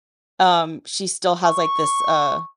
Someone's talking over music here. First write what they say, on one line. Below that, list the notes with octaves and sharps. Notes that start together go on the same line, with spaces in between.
um, she still has, like, this, uh,
C#6